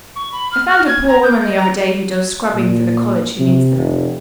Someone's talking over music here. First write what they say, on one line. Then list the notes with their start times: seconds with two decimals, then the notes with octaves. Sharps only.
I found a poor woman the other day who does scrubbing for the college who needs them.
0.16 C#6
0.32 B5
0.52 F6
0.69 F6
0.88 G#6
1.08 A#5
1.23 G6
1.44 D#5
1.57 A#5
2.54 A#2
3.39 C3
3.77 F1